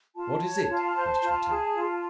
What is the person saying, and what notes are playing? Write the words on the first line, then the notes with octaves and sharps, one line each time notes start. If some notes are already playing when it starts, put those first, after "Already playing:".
"What is it?" questioned Tad.
F4 A5
C#5
F4
C5
F4
G#4
F4